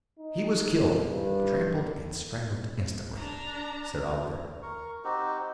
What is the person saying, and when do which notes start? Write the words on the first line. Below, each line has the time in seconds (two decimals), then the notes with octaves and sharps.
"He was killed--trampled and strangled instantly," said Oliver.
0.19 D#4
1.07 G2
3.18 D4 A#5
4.63 A#4 C#6
5.04 C4 D#4 F#4 G4